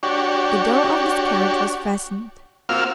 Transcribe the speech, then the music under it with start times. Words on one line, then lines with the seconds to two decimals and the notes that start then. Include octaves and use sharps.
The door of this carriage was fastened.
0.03 D4 F#4 G4 C#5
2.69 A#3 C4 F4 F#4 E6 F6